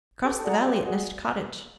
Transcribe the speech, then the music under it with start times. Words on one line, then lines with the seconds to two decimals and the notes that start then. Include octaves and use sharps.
"Across the valley at Nest Cottage!"
0.24 G4 A4 B4
0.38 A4
0.44 F#4 G#4 D5 F#5 A#5
0.65 F4 G4 B4
0.85 F#4 G#4 D5